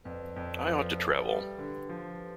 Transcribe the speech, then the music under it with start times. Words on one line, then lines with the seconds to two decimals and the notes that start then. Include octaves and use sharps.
I ought to travel.
0.04 F2 B4 D5
0.36 F2
0.60 B4
0.66 F3 A4 C5
0.81 B4 D5
0.97 A4 C5 E5
1.12 B4 D5
1.28 G3 G4 B4
1.58 D3
1.89 F3